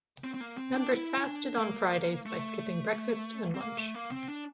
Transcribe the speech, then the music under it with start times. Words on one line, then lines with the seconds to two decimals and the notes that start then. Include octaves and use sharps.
Members fasted on Fridays by skipping breakfast and lunch.
0.24 C4
0.34 C4
0.41 A#3
0.58 C4
0.74 D4
0.91 E4
1.18 E4
1.24 D4
1.59 A#3
2.26 A3
3.54 C4
3.60 A#3
3.78 A3
3.94 A#3
4.11 C4
4.28 D4